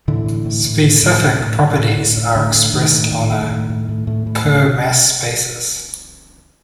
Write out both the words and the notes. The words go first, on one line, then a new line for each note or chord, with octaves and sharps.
"Specific" properties are expressed on a per mass basis.
A2 D3 E3
A2
A2
A2
A2
A2
A2
A2
A2 D3
A2
A2
A2
A2 D3
A2
A2 D#3
A2
A2
A2
A2
A2
A2
A2
A2
A2